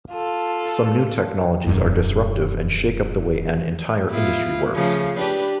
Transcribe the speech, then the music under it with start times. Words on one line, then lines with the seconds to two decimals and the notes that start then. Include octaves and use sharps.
Some new technologies are disruptive and shake up the way an entire industry works.
0.11 F4 A4
1.67 E1 F#2
4.10 B3 E4 F4
4.74 C#3 F3 A3
5.19 D4 G4 B4